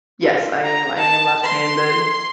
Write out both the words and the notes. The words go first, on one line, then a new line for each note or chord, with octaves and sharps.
Yes, I am, I am left-handed,
F4
A#5
A5
C6